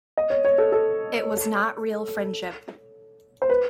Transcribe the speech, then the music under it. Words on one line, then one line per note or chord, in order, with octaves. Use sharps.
It was not real friendship.
D#5
C#5
C#5
A4
A4
C5
B4